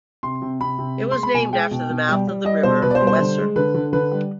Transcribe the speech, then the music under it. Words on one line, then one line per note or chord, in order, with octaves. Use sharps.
It was named after the mouth of the river Weser.
C3 C6
C3
C3 B5
C3
G#3
G#3 C6
B5
B2 G#5
G#3 G5
B2
B2
G3
G3
G3 D#5
B2 C5
B2 B4
D5
C5
G3
C5
D3
G#3
D3 B4
D3
D3 B4
G3